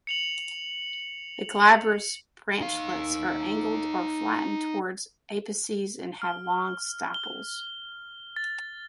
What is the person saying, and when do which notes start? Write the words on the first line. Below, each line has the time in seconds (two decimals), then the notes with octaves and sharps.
The glabrous branchlets are angled or flattened towards apices and have long stipules.
0.07 C#7 F7 F#7
2.61 D#4 F5
6.22 F6
7.14 G7
8.36 A6